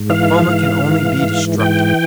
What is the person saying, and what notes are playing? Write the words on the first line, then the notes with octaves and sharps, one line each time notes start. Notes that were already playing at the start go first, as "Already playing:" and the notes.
But Foma can only be destructive.
Already playing: G#2
E3 F5
G#2
E3
G#2
E3 G5